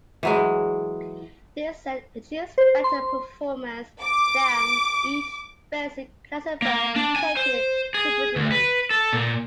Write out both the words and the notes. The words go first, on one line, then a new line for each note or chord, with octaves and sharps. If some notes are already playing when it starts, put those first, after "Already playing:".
This set achieves better performance than each basic classifier taken separately.
E3 F#3 G#3
C5
C6
D6
A#3
D4
G#5
C5
G#4
D2
B4
A4
A#2